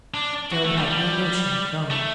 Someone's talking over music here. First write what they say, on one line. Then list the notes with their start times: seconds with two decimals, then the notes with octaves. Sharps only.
But Job had no notion of going.
0.14 D4
0.52 F#4
0.64 A3
0.77 G3
0.90 G3
1.90 A3